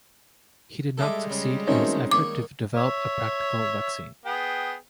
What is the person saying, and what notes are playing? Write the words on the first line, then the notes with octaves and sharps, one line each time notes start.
He did not succeed in his effort to develop a practical vaccine.
G3 G#3 A4 E5 D6
C#3
D#3 A3 C4 C#4 D#4 F#4
D#3 A#3 C#5 D6
C#5 E5
B3 G#4 G5